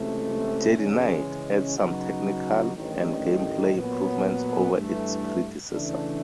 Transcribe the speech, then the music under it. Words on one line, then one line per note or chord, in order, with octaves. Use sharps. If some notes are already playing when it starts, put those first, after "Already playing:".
"Jedi Knight" adds some technical and gameplay improvements over its predecessor.
Already playing: C#2 C3 E3 A3
C#3 E3 G#3 C#4
C#3 F#3 B3 D#4 F#4
A1 G2 D#3
A#2 F#3 B3
G2 E3 A3
C#3 E3 A3 D4